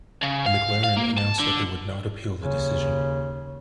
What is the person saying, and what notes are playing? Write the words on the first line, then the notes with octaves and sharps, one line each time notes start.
McLaren announced that they would not appeal the decision.
C#3
F5
F5
A#3
A5
D3
D#2 C#3